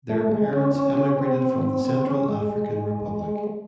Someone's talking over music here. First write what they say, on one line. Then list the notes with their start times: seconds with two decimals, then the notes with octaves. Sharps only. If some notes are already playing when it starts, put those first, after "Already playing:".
Their parents emigrated from the Central African Republic.
0.10 A3
0.32 G#3
0.53 C#4
0.75 C#4
0.97 C#4
1.19 C4
1.41 C4
1.63 C4
1.85 C4
2.07 C#4
2.29 G#3